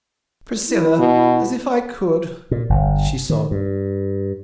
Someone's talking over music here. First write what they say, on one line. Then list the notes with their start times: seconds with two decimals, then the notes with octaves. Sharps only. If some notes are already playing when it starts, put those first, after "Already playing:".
"Priscilla--as if I could!" she sobbed.
0.68 E4
0.99 B2
2.51 A#2
2.70 G1
3.30 D#3
3.51 G2